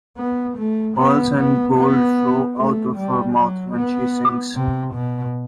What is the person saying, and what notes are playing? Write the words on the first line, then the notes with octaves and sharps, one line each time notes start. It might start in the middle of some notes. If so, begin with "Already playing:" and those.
Pearls and gold flow out of her mouth when she sings.
B3
A3
B3
B3
B3
A3
G3
F#3
B3
C3
B2